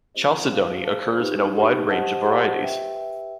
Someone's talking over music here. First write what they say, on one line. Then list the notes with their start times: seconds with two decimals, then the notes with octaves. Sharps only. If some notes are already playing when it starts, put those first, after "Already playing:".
Chalcedony occurs in a wide range of varieties.
0.15 C4 F4 G#4 C5 D#5
0.51 G#4 C5 F5 A5
0.85 G#4 C5 F5 A5
1.20 D#4 G4 B4
1.55 D#4 G4 B4
1.90 G4 C5 D#5 F#5 A5
2.25 G4 C5 D#5 F#5 A5
2.61 G4 B4 E5 G5
2.95 G4 B4 E5 G5